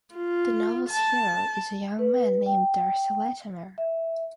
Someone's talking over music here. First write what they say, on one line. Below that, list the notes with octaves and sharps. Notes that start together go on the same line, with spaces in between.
The novel's hero is a young man named Darsie Latimer.
F4
A5
B4
G5
E5